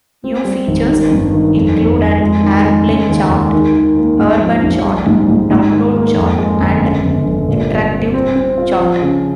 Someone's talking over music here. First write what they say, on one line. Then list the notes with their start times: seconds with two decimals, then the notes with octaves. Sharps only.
New features include an Airplay Chart, Urban Chart, Download Chart and Interactive Chart.
0.24 C4
0.45 G3
0.67 G#1
0.89 D#3
1.11 G2
1.33 D#3
1.55 F2
1.77 F2
1.99 F2
2.21 G#3
2.43 D#3
2.65 G#3
2.87 C#3
3.09 D#2
3.31 G#3
3.53 D#3
3.75 D#3
3.97 A#3
4.19 G#2
4.41 F3
4.63 A#1
4.85 G3
5.06 G#2
5.28 G#2
5.51 G#2
5.72 D#3
5.94 A#3
6.16 F2
6.38 G#3
6.60 G1
6.83 C#3
7.04 G1
7.26 G1
7.49 A#2
7.70 G3
7.92 C4
8.14 C4
8.35 C4
8.58 F4
8.80 F3
9.02 C#3